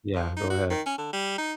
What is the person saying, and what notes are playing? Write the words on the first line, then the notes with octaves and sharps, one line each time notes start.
Yeah. Go ahead.
F3
D#4
F#4
D#3
C#4
D3
G3
D#4